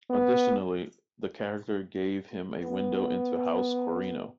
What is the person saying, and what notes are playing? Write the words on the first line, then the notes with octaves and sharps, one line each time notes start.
Additionally, the character gave him a window into House Corrino.
B3
B3